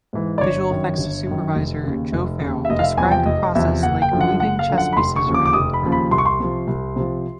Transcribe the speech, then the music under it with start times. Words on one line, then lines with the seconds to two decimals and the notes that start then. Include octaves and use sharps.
Visual effects supervisor Joe Farrell described the process like "moving chess pieces around".
0.13 G#2 E3
0.38 D5
0.41 G1 C#5
0.71 F#2 D#3
0.98 G1
1.27 F#2 D#3
1.55 F1
1.84 D#2 C#3
2.12 F1
2.41 D#2 C#3
2.65 E5
2.70 F1 D#5
2.79 F5
2.83 E5
2.97 E2 C3 F3 G#5
3.12 G5
3.26 F1 D#5
3.55 E2 C3 F3 E5
3.83 F#1 F#5
4.02 G5
4.12 F#2 D3 F3
4.21 F#5
4.40 F#1 F#5
4.59 F5
4.69 F#2 D3 F3
4.78 F#5
4.93 B5
4.97 F1 C6
5.16 C#6
5.26 D#2 C#3 F3
5.34 D6
5.45 D6
5.53 F1 D#6
5.73 B5
5.83 D#2 C#3 F3
5.92 B5
6.11 C2 C6
6.18 C#6
6.26 C6
6.40 C3 F3
6.67 C2
6.96 C3 F3